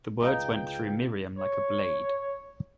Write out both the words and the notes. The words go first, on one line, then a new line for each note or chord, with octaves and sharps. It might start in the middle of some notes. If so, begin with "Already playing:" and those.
The words went through Miriam like a blade.
C#2 D#4 G#4 B4 F5 G5
C#5